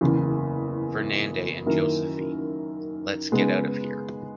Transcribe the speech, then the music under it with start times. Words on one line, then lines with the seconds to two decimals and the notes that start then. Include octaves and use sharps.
Fernande and Joséphine, let’s get out of here!
0.01 F#1 E2 C#3
1.66 F#2 D#3 A#3 E4 A#4
3.32 C#3 G#3 B3 D#4 G#4